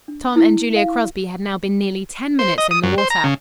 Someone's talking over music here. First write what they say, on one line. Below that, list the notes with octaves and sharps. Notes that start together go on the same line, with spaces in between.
Tom and Julia Crosby had now been nearly ten minutes in the water.
D4
E4
F5
C5
D#5
D#6
F#2
C5
A#5
C#3